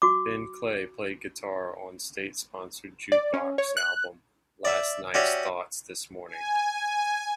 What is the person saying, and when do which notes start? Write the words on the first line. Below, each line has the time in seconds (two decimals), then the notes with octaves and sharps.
Ben Clay played guitar on 'State Sponsored Jukebox' album 'Last Nights Thoughts This Morning'.
0.02 F#4 D6
3.12 D5
3.34 C#4
3.58 C#5
3.77 F#6
4.65 D5 E5
5.14 C#4 F#4 G4 C#5 D5 E5
6.28 G#5